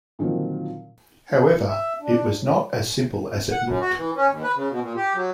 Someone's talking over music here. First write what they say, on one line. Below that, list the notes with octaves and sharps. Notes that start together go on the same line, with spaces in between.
However, it was not as simple as it looked.
A#2 D3 D#3 F3 F#3 C4
E5
D4
A2
F#5
F#2
F#4
E3
C#4
D#2
B4
C#3
B2
A#2
G4
F#3